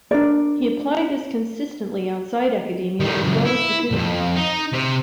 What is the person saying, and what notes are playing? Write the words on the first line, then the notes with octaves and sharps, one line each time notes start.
He applied this consistently outside academia as well as within it.
D4 A#4 D5
A2 D#3
C#2 F#2
E4
C2 F2
D#4
C3